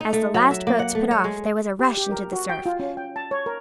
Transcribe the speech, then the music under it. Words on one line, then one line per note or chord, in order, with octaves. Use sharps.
As the last boats put off there was a rush into the surf.
D#4
A3
F#3
E5
A#3
F#5
A3
C#5
G#3
G4
G4
A#4
F#4
G5
F4
C#4
G5
A5
C#5
A#4